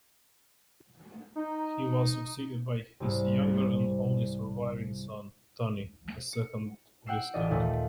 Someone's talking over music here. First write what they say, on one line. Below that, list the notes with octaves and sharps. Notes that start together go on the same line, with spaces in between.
He was succeeded by his younger and only surviving son, Tony, as second viscount.
D#4
C2 G#2 C3
C#7
F#5 G5 E6 C7 E7
A1 F4 D5 D#5
D#2 A#2 A3